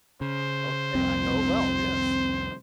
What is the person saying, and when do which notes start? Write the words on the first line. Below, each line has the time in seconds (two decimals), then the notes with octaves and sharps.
Okay. I know it well, yes.
0.21 C#3 C5
0.95 C2 F2 C4